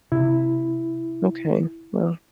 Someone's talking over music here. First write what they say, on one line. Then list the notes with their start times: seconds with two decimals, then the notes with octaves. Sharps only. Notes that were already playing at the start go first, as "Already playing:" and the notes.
Okay, well
0.12 C3 E4